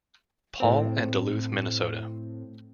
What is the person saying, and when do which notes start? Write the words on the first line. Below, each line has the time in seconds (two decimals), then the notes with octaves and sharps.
Paul and Duluth, Minnesota.
0.60 A2 C4